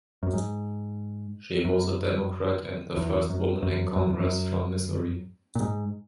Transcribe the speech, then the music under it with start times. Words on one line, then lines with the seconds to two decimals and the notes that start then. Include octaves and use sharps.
She was a Democrat and the first woman in Congress from Missouri.
0.23 F#2
0.33 G#2
1.65 F#2
2.97 E2
3.30 F#2
3.63 F#2
3.96 F#2
4.09 E2
4.20 F#2
5.55 A#2
5.61 G#2